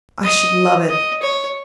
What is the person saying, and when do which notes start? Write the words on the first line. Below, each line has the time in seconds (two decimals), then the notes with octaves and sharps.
"I should love it."
0.24 D#5
0.90 D#5
1.23 C#5